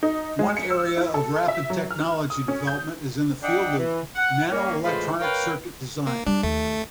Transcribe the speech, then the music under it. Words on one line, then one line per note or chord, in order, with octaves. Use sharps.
One area of rapid technology development is in the field of nanoelectronic circuit design.
D#4
G#3
C#7
E6
E4
A4
E5
F#3
F6
D#6
C#4
G6
D4 D#5 F#5 G5
E3
F#5
A#3 C#4
A2 E3 G#3 F4 C5 B5
A#4 B4 C#5 F5 G5
A#3
G3 D4
D#2 A3